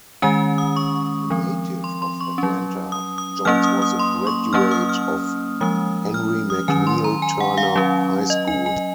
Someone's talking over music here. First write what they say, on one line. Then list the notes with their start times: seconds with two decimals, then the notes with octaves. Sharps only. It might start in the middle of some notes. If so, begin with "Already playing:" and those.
A native of Atlanta, Jones was a graduate of Henry McNeal Turner High School.
0.22 D#3 G#3 C#4 G#5
0.58 D#6
0.77 C#6
1.30 F3 C4
1.84 C6
2.02 C6
2.21 C#6
2.38 F#3 C#4
2.92 D#6
3.18 D#6
3.45 F#3 A#3 C#4 F6
3.63 D#6
3.82 D#6
3.99 C6
4.27 C#6
4.53 F#3 A#3 C#4 F6
4.71 D#6
4.89 F6
5.61 F3 G#3 C#4 D#6
6.14 F6
6.50 D#6
6.68 D#3 F#3 C#4 G#5
6.87 C6
7.04 A#5
7.22 G#5
7.40 F#5
7.57 F5
7.76 F#3 C#4
8.30 D#5
8.48 G#5
8.66 G#5